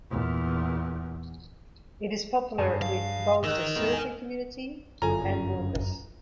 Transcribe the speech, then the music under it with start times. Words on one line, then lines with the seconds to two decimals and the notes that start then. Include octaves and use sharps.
It is popular with both the surfing community and walkers.
0.10 E2 A#2
2.58 G2 G#4
2.82 F5
3.44 A#4 D#5 E6 F#6
3.76 E2 A2 G#3
3.92 G#5
5.02 G1 F#2 C#3 F4 A4 G#5 A#5